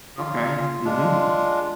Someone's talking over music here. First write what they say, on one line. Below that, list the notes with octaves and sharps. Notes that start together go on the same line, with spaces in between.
Okay. Mhm.
F4
G#3 D4 F4